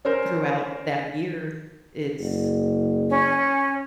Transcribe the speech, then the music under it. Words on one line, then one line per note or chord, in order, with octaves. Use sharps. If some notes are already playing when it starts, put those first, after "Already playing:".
throughout that year, it's
C#4 A#4 C5
F#1
C#4